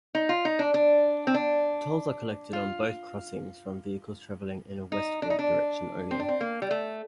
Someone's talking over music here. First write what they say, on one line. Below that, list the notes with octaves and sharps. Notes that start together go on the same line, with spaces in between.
Tolls are collected on both crossings from vehicles travelling in a westward direction only.
D#4
F4
D#4
D4
D4
C4
D4
F4
D#4
D4
D#4
D4
C4
D4
C4
A#3
G3
A3